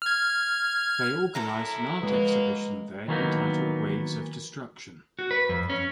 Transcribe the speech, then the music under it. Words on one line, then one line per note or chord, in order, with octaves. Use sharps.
They organised an art exhibition there entitled Waves Of Destruction...
F6 G#6
F#2 D3 E4 A4 A#4 A#5
F#3 G#3 A#3 B4
D#3 E3 F#3 A#3 B3 D#4
F#4
B4
F2
C#4